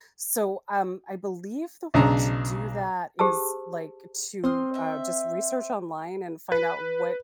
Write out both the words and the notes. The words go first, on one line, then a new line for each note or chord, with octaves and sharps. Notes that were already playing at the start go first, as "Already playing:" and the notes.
So, um, I believe the way to do that is, like, to, uh, just research online and find out what,
B1 C#3 D4 A#5
G4 G#4 C5 A5 E6
C4 C6 D#6 F6
D#5 E5
B4